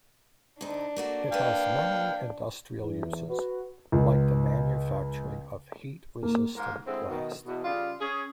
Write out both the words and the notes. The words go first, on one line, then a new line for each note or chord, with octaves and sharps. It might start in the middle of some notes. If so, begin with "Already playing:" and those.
It has many industrial uses, like the manufacturing of heat resistant glass.
D2 D4 D#4
A3 A#3 F#4
A#3 B4 F5 G5
E2
F#4 B4
C#2
A#3
G#2 A#3 A#4
D3 G#3 C4 E4
B2 D#3
E2 B2
C#3 G3 F4
C#4 G#4